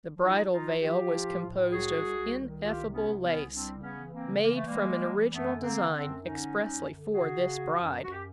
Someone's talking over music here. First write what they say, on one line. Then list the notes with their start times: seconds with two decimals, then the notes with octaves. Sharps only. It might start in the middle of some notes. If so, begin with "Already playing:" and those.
The bridal veil was composed of ineffable lace, made from an original design expressly for this bride.
0.12 F3
0.21 D#4 F4
0.35 F3
0.51 D#4 F4
0.58 F3
0.80 F3 F4 G4
1.04 F3
1.25 A2
1.49 A2
1.71 C2 F#4 G#4
1.93 C2
2.16 C2
2.39 D#3
2.61 C2 F4 G4
2.84 C3
2.92 B3 C#4
3.07 C2
3.22 B3 C#4
3.29 C2
3.51 G3 C4 D4
3.75 C#3
3.81 B3 C#4
3.97 E3
4.12 A#3 C4
4.20 C#3
4.42 E3 A#3
4.55 A3
4.65 G3 G#3 A#3
4.87 G3
5.09 E3
5.32 F#2 A3 B3
5.54 D3
5.62 A#3 C4
5.77 D3
5.92 C4 D4
6.00 F#2
6.23 D3 C#4 D#4
6.45 G3
6.67 F#2
6.91 D3
7.12 C#3 F#4 G#4
7.35 C#3
7.58 F3
7.80 F#2
8.03 F#2 F#4
8.12 G4